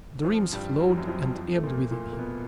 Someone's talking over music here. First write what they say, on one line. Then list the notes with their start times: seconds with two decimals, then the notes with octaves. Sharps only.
Dreams flowed and ebbed within him.
0.25 F2 F3
0.52 G2 G3
0.81 F#3
0.89 F3
0.97 F#2 F#3
1.07 F2 F3
1.36 F2 F3
1.53 A3
1.63 A#2 A#3
1.91 A#2 A#3
2.13 A#3
2.19 B2 B3